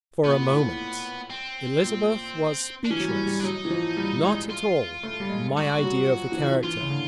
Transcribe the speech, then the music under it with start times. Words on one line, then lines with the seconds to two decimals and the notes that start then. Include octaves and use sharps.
For a moment Elizabeth was speechless--not at all my idea of the character.
0.24 A#2 B3
0.41 A#2
0.51 A2
1.30 C4
1.84 A#2
2.85 D4
2.90 E3 C#4
2.99 F#3
3.08 G3
3.26 G3
3.40 D4
3.44 F#3 D#4
3.65 E3
3.71 F3
3.97 G3
4.23 G#3
4.50 F4
5.03 A3
5.20 G3
5.30 G#3
5.56 G#3 F#4
5.78 G3
5.83 F#3
6.10 F3
6.32 E3
6.37 F3
6.63 E3 F4
6.81 C#3
6.90 D3